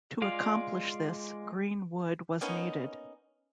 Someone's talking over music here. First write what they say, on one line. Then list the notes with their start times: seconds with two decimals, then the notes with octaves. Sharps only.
To accomplish this, green wood was needed.
0.22 G#3 F4 D5 F5
2.41 A#3 B3 C#4 D#4